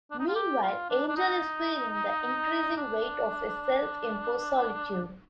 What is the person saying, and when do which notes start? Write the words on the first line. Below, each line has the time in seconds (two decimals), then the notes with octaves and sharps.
Meanwhile Angel is feeling the increasing weight of his self-imposed solitude.
0.11 D4
0.19 D#4
0.28 F4
0.35 G4
0.63 F4
0.90 D4
1.08 D4
1.16 D#4
2.77 D4